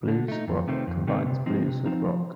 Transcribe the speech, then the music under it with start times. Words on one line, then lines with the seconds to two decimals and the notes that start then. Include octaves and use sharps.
Blues rock combines blues with rock.
0.08 D3
0.28 A3 D#4
0.48 F2
0.68 C3 D#3 A3 C4
0.87 F2
1.07 C3 D#3 A3 C4
1.27 C3
1.46 F3 C4 D#4
1.67 C3
1.86 F3 C4 D#4
2.05 F3